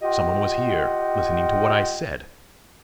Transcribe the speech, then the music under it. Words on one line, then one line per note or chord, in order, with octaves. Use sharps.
Some one was here--listening to what I said!
F4 G4 D#5 F#5 G5